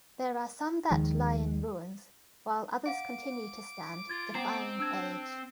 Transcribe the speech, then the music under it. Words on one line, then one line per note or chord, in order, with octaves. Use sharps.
There are some that lie in ruins, while others continue to stand, defying age.
D#2 D#3 F3 G#3
F5 F#5 D6
F4 G#6 A6
B3 C4 A#5 C7
D4 E6 G#6